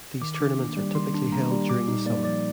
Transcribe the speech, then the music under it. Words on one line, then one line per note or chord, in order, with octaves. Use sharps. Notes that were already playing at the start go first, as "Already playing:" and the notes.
These tournaments are typically held during the summer.
D#3 D6
D6
D4
A#3
G3
D#3 C6
D4
A#3 A#5
G3
A#2 D6
D#4
A#3 D5
F3 D5